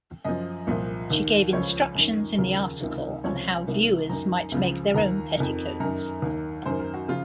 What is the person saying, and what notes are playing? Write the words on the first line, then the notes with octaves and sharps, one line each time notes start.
She gave instructions in the article on how viewers might make their own petticoats.
F#2 F3 D#5
C2 A#2 F3
D#2 D#3
C#2 C#3 F3 C#5
F#2 D#3
D#2 C#3 F3 A#4
C#2 C3 D#3
C#2 C3 F3 C#5
C2 C3 D#3
F#2 D#3 A#5
C#2 C#3 F3
D#2 D#3 A#5
F2 D#3
F#2 D#3 A#5
D#2 D#3
F#2 D#3 C5
A#4
F#4
C#3 F3 F4